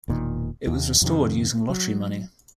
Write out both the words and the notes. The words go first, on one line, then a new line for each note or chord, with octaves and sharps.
It was restored using lottery money.
E1 A#2 D#3
D#2
F2 C3 D#3
F#3